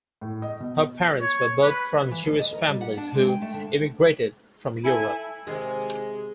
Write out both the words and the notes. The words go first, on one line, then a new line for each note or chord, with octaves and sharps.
Her parents were both from Jewish families who emigrated from Europe.
A2
D#5
B2
C#5
B4
E3
D2
D#5
A#4
G3
F#5
D4
G#3
G5
A3
D3
E4 A4 E5 G#5
C3 D#3 G#3 G#4